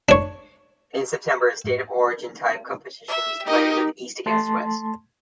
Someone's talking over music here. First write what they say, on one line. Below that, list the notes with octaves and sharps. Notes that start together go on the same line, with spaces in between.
In September a State of Origin type competition is played with East against West.
D4 C#5
E5
D#4 G4 A#4 D#5
A3 A5 C6